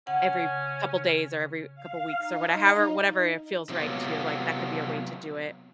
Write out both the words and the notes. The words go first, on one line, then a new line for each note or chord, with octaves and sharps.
every couple days or every couple weeks or whate however, whatever it feels right to you, like, that could be a way to do it
C#3 C#4 F#5
F5
D#4
D#4
C3 F#3 B3 F4